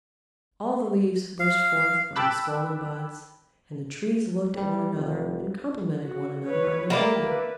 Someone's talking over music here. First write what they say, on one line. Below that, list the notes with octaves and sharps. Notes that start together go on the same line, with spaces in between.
All the leaves burst forth from the swollen buds, and the Trees looked at one another and complimented one another on their beauty.
F5
G5 A5 B5 D6 E6 F#6
G3
F1
F#4
B4 C#5
A#3 E4 G4 D5
B4